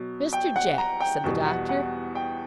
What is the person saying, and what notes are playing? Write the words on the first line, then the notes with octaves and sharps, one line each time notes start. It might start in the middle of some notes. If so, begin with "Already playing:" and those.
'Mr. Jack!' said the Doctor.
Already playing: B2 F#3
G5
F#5
A#5
G5
E2 B2 G3
F#5
F#5
G5